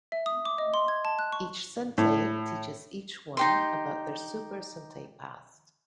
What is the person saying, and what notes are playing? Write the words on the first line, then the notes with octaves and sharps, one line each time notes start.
Each sentai teaches each one about their Super Sentai past.
E5
D#6
D6
D#5
C6
G#6
A5
F#6
C#6
A2
D#4 G4 C6